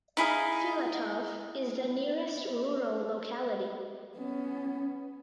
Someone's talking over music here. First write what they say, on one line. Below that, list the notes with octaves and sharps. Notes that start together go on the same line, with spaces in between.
Filatov is the nearest rural locality.
D#4 E4 G#4 F5
B3 C#4